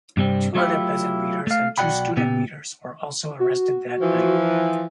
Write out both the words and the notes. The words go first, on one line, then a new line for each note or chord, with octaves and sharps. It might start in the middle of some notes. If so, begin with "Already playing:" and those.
Two other peasant leaders and two student leaders were also arrested that night.
G2 C3 G3 C4
F#3 A3 C#4 E4 F4 G4
A3 F5
B1 F#4 D5 F#5 G5 B5
A#2 C#3 B3 G4
F#4
E3 F3